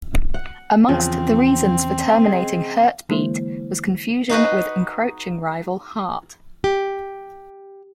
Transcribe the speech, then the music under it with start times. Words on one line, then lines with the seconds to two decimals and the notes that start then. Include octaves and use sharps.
Amongst the reasons for terminating HertBeat was confusion with encroaching rival Heart.
0.34 F#5
0.89 E2 C#3 F3 C4
2.24 G#4 D#5
3.09 D3 E3 G#3 A#3 E4 C5
4.29 D#4 F#4 G#4 B4
6.64 G4